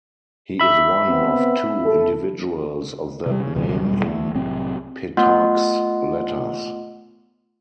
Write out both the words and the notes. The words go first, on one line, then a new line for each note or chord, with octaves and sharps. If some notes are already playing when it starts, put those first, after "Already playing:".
He is one of two individuals of that name in Petarch's letters.
E5 B5
B3 C4
A4
C3 G3
C#3
C#2 B2 D#3 G3
E2 G2 B2 G3
D2 A3
C2 A2 F#3 C4
A3 B3 F4 D#5 F#5 C6